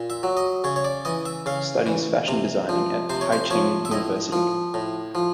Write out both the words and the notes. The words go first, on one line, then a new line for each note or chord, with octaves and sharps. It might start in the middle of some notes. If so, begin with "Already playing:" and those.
Studies fashion designing at Haicheng University.
Already playing: A#2
E5
F#3
D#5
C#3 C#5
C#5
D5
E3 D#5
E5
C#3 F5
E3
C3
F3
C3 C5
C#5
C5
F3 C#5
E5
A2 D#5
F3
A2
F3